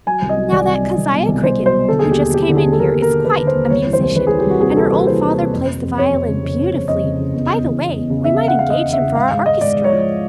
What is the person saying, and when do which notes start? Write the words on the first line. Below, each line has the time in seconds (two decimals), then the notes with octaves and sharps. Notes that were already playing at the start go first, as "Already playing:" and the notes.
"Now that Keziah Cricket, who just came in here, is quite a musician, and her old father plays the violin beautifully;--by the way, we might engage him for our orchestra."
0.06 F#3 G#5
0.22 C2
0.29 D#5
0.37 F#3
0.52 C2 D5
0.68 C2
0.83 C2
0.98 C2
1.13 B2
1.28 C2
1.43 C2 C5
1.59 F#3
1.66 C5
1.74 B2
1.89 D3 A4
1.99 D#2 G#4
2.11 G4
2.19 D#2
2.34 D#2 G4
2.49 D3
2.57 G#4
2.64 D#2
2.73 A4
2.79 D3 A#4
2.94 D#2
3.02 A#4
3.10 D3
3.25 D3 B4
3.40 D3
3.47 C5
3.55 D#2
3.70 C2 C#5
3.85 E3
3.93 C5
4.00 C2
4.16 C2 B4
4.27 E3 G#4
4.39 G4
4.46 C2 F#4
4.61 C3 G#4
4.76 E3 A4
4.91 E3 B4
5.07 E3 C5
5.22 E3
5.37 C3
5.53 F2
5.67 F2
5.82 F2
5.98 F2 C#5
6.13 F2
6.28 C#3
6.44 F2
6.58 F2
6.74 F2
6.88 F2 D#5
7.03 C#3
7.19 C#3
7.34 E2
7.50 E2
7.65 E3
7.79 E2
7.95 E2
8.10 C#3
8.24 E2 E5
8.37 E2 F5
8.48 F#5
8.55 E2 F5
8.70 C#3 D#5
8.86 E2
8.93 E5
9.01 C#3
9.15 G#2 F5
9.31 G#2 F5
9.46 G#2 D#5
9.61 G#2 D5
9.76 G#2
9.84 C#5
9.92 F3